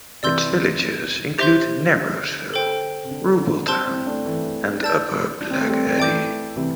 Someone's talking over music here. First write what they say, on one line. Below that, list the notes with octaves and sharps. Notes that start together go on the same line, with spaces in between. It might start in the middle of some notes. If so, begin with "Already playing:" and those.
Its villages include Narrowsville, Rupletown, and Upper Black Eddy.
C3 E3 D5 C6 E6 G6
C3 E3
G4 C5 E5 C6 G6
D3
A4 C5 G5
C3
D3
D3 G3
G3 C4 C5 A5 C6 E6 G6
C4 E4
A3 D4
E3 A3
D5 A5 E6 G6
D4
C4
A3
G3 C4
C4
E3 A3 D5 G5 D6 G6
C3 E3